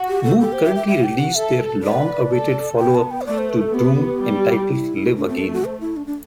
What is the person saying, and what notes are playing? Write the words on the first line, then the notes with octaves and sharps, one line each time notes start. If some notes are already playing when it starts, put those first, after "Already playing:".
Mood currently released their long-awaited follow up to "Doom" entitled "Live Again".
Already playing: F#4
G4
A4
G4 A4
C5
E5
E5
E5
G5
F#5
A4 E5
B4 D5
A4
B3 G5
A5
G5
C5
A3 D5
C5
B4
A4
B3 G4
G3
E4
A3 D4
C4
D4
F#4
C5
E4
D4
D4